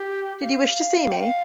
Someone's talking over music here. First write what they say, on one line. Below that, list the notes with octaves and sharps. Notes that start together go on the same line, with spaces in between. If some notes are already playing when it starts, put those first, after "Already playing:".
Did you wish to see me?
Already playing: G4
F5
G5
F5